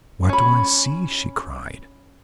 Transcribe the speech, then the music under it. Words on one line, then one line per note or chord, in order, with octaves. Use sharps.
"What do I see?" she cried.
C#4 B5